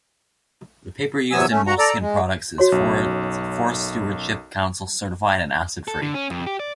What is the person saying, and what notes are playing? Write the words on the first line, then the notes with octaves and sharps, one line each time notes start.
The paper used in Moleskine products is Forest Stewardship Council certified and acid-free.
E2 C3 F#3 B3 G#5 E6
A3 C#4
F#4 F#5 A#5
A4 D5 A#5
G#3
F#4 C#5 C6
B1 F#2
A4
D3
C#4
F2
G4
D5